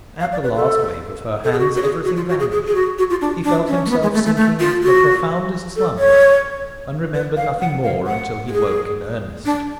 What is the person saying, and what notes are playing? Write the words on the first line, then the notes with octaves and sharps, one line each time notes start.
At the last wave of her hands everything vanished, he felt himself sinking into the profoundest slumber, and remembered nothing more until he awoke in earnest.
F5
D5
B4
A4
A4
G#4
F#4
F#4
G#4
F#4
F4
F#4
G#4
G#4
G#4
F#4
F#4
F4
D4
D4
C#4
A3
B3
G#3
A3
A3
A3
F4
F#4
A4
C#5
B4
F5
F#5
F5
F#5
F#4
G#4
D4